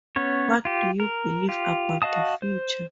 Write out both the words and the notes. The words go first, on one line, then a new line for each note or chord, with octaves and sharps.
What Do You Believe About The Future?
B3 C#4 C#5
F4 G4
A#4
F4 G4
F#4 D#5 F5 A5 D#6
C5